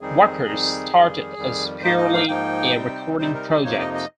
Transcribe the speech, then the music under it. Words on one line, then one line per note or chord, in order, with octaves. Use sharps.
Wipers started as purely a recording project.
F2 D#3 G3 C4 D#4 G#4
F2 D#3 G3 C4 D#4
F2 D#3 G3
F2 D#3 G3
G#2 F3 A#3 D#4 C5
D#5
F5
G#2 F3 A#3 D#4 G5
C3 G3 C4 D#4
C3 G3 C4 D#4 C5
A#4
C5
F2 C3 F3 A#3 D#4 C#5
D#5
D#5